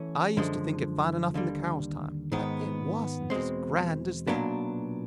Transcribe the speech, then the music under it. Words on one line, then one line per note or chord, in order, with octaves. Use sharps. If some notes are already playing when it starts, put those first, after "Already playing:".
I used to think it fine enough in the Carrolls' time, but it wasn't as grand as this.
Already playing: E3 A3 C#4
F#2 D3 F3 G#3
D#2 D3 G3
G#2 D#3 G#3 B3
E2 B2 G#3 C4
B1 A#2 F#3 B3 D4